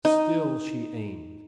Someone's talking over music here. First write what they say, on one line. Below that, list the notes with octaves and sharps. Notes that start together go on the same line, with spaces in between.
Still she aimed....
D#4